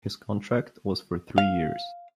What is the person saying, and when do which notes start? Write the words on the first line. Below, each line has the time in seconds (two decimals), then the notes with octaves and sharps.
His contract was for three years.
1.38 F5